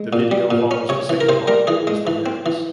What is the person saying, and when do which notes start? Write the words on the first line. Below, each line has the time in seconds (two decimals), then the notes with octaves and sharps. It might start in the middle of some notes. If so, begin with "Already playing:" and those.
The video follows the same plot as the lyrics.
Already playing: G#3
0.13 A#2
0.31 G3
0.51 A#2
0.71 C#4
0.89 C3 C#5
1.09 E3
1.21 A#4
1.29 C3 C5
1.47 G3 A#4
1.67 E3 G#4
1.87 G#3
2.07 E3
2.26 C4
2.46 E3